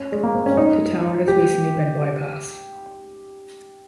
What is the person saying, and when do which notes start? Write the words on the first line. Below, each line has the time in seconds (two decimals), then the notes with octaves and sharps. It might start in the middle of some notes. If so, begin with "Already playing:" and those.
The town has recently been bypassed.
Already playing: C#4
0.12 G#3
0.23 A#3
0.34 C4
0.46 C#4
0.57 D#4
1.28 G4